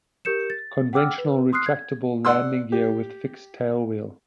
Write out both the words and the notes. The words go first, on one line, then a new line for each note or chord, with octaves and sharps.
Conventional retractable landing gear with fixed tailwheel.
G4 A#4 G6 C#7 E7
A6
F#5 G5 D6 E6 F6
B4
C6 D#6 F6 F#6 C7
G#6
D5 F#5 C6 E6
G4